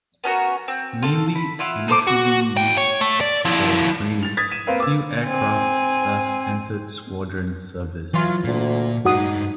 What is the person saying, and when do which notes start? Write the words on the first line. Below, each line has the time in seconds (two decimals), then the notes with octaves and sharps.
Mainly initially used for training, few aircraft thus entered squadron service.
0.24 B3 C#4 F#4 A#4
0.68 C4
1.02 F4 A4
1.35 B5
1.59 E4 F4 F#5
1.88 D#4 A4 C5 D6
2.07 F#4
2.57 E2 G5
2.77 C#5
3.01 A3
3.21 D5
3.45 F3 E4
4.23 A6 F7
4.37 D#6 G#6 A6 B6
4.52 D#7 E7
4.67 A#3 C4 A#4 B4 F5
4.80 D6 E6
5.25 C4 G#5
8.14 E3 F#3 F4
8.44 D2 A#2
9.05 G2 G#3 D#4 F#4 F#5 D#6